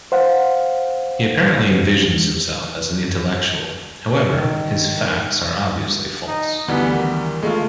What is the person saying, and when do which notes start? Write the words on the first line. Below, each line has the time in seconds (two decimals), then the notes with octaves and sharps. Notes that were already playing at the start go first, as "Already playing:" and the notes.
He apparently envisions himself as an intellectual; however, his "facts" are obviously false.
0.12 C5 F5 F#5
4.28 D#3
6.27 D#4
6.68 D2 E3 G3 B3
6.94 D#3
7.43 C#3 G#3 A3 F4